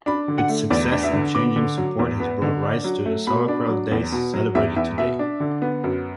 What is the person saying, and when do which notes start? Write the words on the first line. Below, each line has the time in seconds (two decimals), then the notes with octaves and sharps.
Its success in changing support has brought rise to the Sauerkraut Days celebrated today.
0.06 D4 B5
0.28 D3
0.38 F#5
0.49 A3
0.70 E2 D5
0.92 D4
1.03 E5
1.13 D3
1.35 B3 D6
1.56 D3
1.78 F#3
1.99 E2
2.20 B3
2.42 D3
2.63 D4
2.84 F#3
3.06 A3
3.27 B2 B5
3.48 D4
3.69 F#3
3.92 E2
4.12 B2
4.34 F#3
4.55 E2 E5
4.76 E2 E5
4.98 B2 E5
5.19 D4
5.40 D3
5.62 B3
5.84 F#2